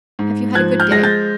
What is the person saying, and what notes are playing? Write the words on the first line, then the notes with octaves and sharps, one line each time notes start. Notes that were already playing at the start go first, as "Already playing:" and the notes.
"Have you had a good day?"
G#2
F3 F#6 G#6
F6 G6
G#3 A#6
G6 A6